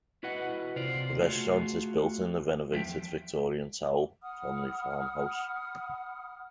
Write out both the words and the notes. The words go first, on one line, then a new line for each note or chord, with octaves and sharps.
The restaurant is built in the renovated, Victorian Towle family farmhouse.
E4 F#4 B4 D#5 F#5
C3 F4 C5 D5
A3 F4 F#4 G#4
E2 F3 A#3 E5 G5
F#5 B5 D#6 F6